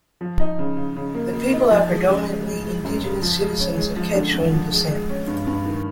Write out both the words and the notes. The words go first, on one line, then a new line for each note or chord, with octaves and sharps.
The people are predominantly indigenous citizens of Quechuan descent.
F3
D#4
C#3
C#3
C#3
A#3
A#3
D#4
F3
G#3
C#3
G#3
G#3
G#3
F#2
C#3
F3
G#3
C#4
G#3
F3
D3
D3
F3
G#3
G#3
C#4
G2
G2
D#3